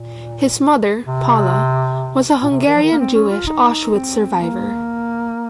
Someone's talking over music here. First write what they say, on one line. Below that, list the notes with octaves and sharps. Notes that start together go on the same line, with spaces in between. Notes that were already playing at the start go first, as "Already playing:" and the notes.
His mother, Paula, was a Hungarian Jewish Auschwitz survivor.
Already playing: A#2
C3
A#2
C3
D#3
F3
D#3
A#3
C4
C#4
F4
D#4
C4
A#3